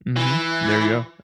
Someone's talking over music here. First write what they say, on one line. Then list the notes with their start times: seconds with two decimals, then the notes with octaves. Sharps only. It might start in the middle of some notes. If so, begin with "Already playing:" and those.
Mhm. There you go.
0.16 E3